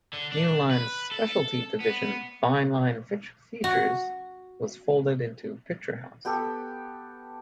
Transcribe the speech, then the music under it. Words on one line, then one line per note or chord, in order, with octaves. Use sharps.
New Line's specialty division Fine Line Features was folded into Picturehouse.
D3
D4
B4
A4
B3
F#4
B3 G4 A4